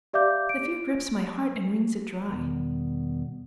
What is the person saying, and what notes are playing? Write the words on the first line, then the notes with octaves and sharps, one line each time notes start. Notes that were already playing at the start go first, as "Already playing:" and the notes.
The fear grips my heart and wrings it dry.
G4 D5 E5 F5 D6 G6
D7
E2 B2 D#3 G3 B3